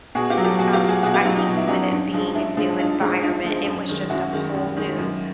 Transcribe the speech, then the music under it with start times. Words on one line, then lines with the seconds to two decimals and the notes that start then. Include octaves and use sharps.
um, s I think with it being a new environment, it was just a whole new
0.15 B2 F#4 G#4
0.30 F4 G4
0.38 F#3
0.44 G4 A4
0.59 B2 F#4 G#4
0.73 F4 G4
0.81 F#3
0.88 F#4 G#4
1.03 B2 F#4 G#4
1.14 F4 G4
1.25 F#3 D#4 F4
1.36 D#4 F4
1.47 B2 D#4
1.57 E4
1.67 F#3 C#4 D#4
1.91 G2
2.13 D3 F3 G#3
2.35 G2 D4 E4
2.57 D3 F3 G#3
2.79 G2 D#4 F4
3.00 D3 F3 G#3
3.22 G2 D#4 F4
3.45 D3 F3 G#3
3.66 F#2
3.89 D#3 G#3
4.10 F#2 E4 F#4
4.32 D#3 G#3
4.54 F#2
4.77 D#3 G#3
4.98 F#2